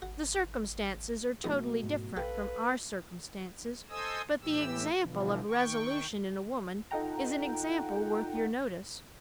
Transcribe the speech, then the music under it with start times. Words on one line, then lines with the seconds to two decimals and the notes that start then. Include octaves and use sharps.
The circumstances are totally different from our circumstances; but the example of resolution in a woman is an example worth your notice.
0.02 G#1 F#4
1.44 A#1 D#2 B2 F#3 A3 D#6
1.83 G#2
2.17 A#1 G4 A4 B4 F5
3.89 A4 C5 D#5 G#5 D#6 E6
4.42 A2 E3 G4 E6
4.99 B2 D3 E3 F3
5.48 D#3 G5 C#6
6.91 D#4 F4 A4 F#5 G5 A#5